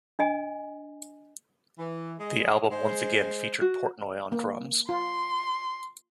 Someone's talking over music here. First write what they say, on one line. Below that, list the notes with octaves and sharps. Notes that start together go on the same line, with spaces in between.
The album once again featured Portnoy on drums.
D4 D#5 G#5
E3
G#3 D#5
G#3 C5
F#4
A#3
F4 C6